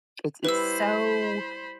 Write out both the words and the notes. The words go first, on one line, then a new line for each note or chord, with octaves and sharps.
it's it's, so
G3 E4 B4 C5 B5 E6